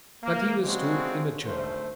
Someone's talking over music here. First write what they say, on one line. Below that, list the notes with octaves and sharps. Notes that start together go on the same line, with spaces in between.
But he was still immature.
A#3
C#3 G#3 C4 D4 F#4
G#1 D2 A3 C5